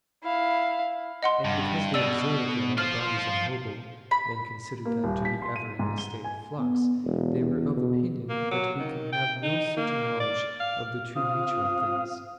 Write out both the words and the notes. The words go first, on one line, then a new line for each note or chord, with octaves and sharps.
And because they observed that all bodies are mobile, and considered them to be ever in a state of flux, they were of opinion that we can have no certain knowledge of the true nature of things.
E4 F5
D#5 F#5 C6
G2
B2 D5 E6
F4 C5 F6
B5
A#3
D#1
B6
C6
D#7
G#2
G7
G#5
B3
E1
E2
B2
A#3
F#3
D#3
G5
D#4
A#3
D5
F5
C4 F4 F5 D#6